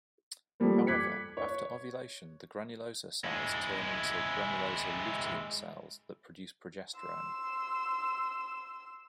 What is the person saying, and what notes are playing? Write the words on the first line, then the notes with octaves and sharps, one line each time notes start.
However, after ovulation the granulosa cells turn into granulosa lutein cells that produce progesterone.
F3 G3 A3 A#3
D6 F#6 G#6 B6 C#7
C#5
G#3 E4
C6 E6